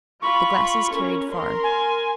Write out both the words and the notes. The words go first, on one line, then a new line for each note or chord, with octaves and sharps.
The glasses carried far.
F4 B5 C#6
C#4 A#4
A#4 C6
G#5